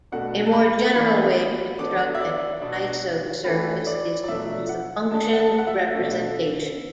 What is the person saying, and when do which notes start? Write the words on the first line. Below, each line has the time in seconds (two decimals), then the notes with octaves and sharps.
A more general way to construct an isosurface is to use the function representation.
0.12 B2 A3 D4 F#5
0.46 A5
0.53 B5
0.96 E3 B3 D4 B5
1.78 D3 B3 D4 D6
2.15 E5
2.20 D5
2.61 B2 B3 D4
3.44 A2 E3 A3 D4 B4
3.87 D5
4.24 D5
4.28 B2 F#3 A3 D4 E5
4.69 F#5
5.11 D3 A3 D4 A5
5.33 F#5
5.39 A5
5.58 F#5
5.67 E5
5.95 B2 A3 D4